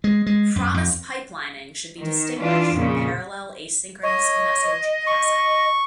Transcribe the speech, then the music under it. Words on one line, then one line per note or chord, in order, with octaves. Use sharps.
Promise pipelining should be distinguished from parallel asynchronous message passing.
G#3
G#3
F#2
F2
D#3
E3 D4 F4
F2 A#2 C#3
C#5 D#5
C#6